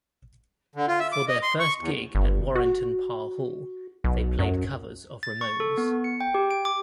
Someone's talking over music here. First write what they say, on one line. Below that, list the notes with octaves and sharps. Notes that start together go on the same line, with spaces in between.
For their first gig at Warrington Parr Hall, they played covers of Ramones.
D3
F4
E5
D6
D#5
C6
C#6
E2
G1
F#4
B1
F#2
A6
C#6
A4
B3
C#7
G5
G4
D7
D6